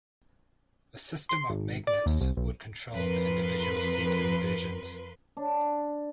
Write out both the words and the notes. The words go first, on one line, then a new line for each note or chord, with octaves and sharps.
A system of magnets would control the individual seat inversions.
C6
G#1
D5
D#2
C2
B1
F2 F3 A#4 B4 C6
D4